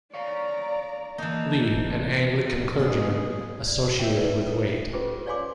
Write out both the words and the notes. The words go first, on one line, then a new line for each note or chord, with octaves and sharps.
Lee, an Anglican clergyman, associated with Waite.
C#5 D5 F5 A#5
E3 A#3 D#4 A5
C3 B3
G#2 B2 F#3 A#3 B3 D4 G#4 C6
D5
A#4 C#5 E5 G5
B4 D5
A4
C#4 F4 G4 G#4 B4 C5
C#5 D5 F5 G#5 C6 D6